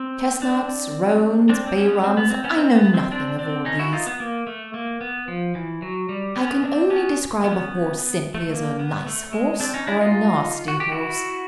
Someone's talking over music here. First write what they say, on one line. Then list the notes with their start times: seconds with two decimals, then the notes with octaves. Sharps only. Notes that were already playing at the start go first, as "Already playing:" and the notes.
Chestnuts, roans, bay rums--I know nothing of all these; I can only describe a horse simply as a nice horse or a nasty horse.
Already playing: C4
0.42 C4 D4
1.49 C4 D4
1.67 C4
1.77 B3 C#4
2.04 C4
2.17 B3
2.31 C4
2.44 B3 C#4
2.57 C4
2.75 B3
2.94 C4
3.12 C4 D4
3.39 C4 D4
3.65 C#4 D#4
3.79 E4 F#4
3.93 D#4 F4
4.06 B3
4.20 A#3
4.47 A3
4.74 A#3
5.01 B3
5.28 F3
5.55 E3
5.82 F#3
6.09 G3
6.36 B3 C#4
6.63 C4 D4
6.90 B3 C#4
7.44 B3 C#4
7.98 B3
8.35 A3
8.52 A#3
8.79 B3
9.06 A3
9.33 G#3
9.60 C4 D4
9.73 C#4 D#4
9.87 D4 E4
10.01 D#4 F4
10.68 F#4
10.80 G4
10.92 E4 F#4